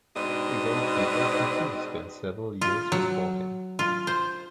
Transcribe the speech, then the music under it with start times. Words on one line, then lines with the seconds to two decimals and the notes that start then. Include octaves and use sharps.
A goalkeeper, he too spent several years with Sporting.
0.16 G#2 B2 C4 D4 B4 D#5
2.61 F4
2.92 F#3
3.79 F4
4.07 C5